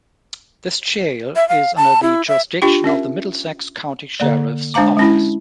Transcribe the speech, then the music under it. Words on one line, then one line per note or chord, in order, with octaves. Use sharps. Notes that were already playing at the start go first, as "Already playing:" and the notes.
This jail is under the jurisdiction of the Middlesex County Sheriff's Office.
E5
F5
A5
E4
E5
D4 F4 G4 G5 C#6
C#4 A#4 E5
D3 A#3 D5
G#3 D4 C5 F5 A#5 D6
G#3 C#4 E4